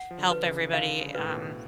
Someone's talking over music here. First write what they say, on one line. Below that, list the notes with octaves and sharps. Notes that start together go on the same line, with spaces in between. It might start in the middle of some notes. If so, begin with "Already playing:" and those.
help everybody, um,
Already playing: F#5
F3
D3
B4
C#3
D3 F5
C#3
A2 B4
B2